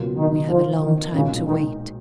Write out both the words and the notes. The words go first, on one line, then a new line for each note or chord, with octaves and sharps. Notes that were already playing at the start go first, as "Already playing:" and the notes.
We have a long time to wait.
Already playing: C#2 B2 F#3 A#3 F4
D#3
F3
D#3
B1 A#2 C#3 G#3 D#4
D#3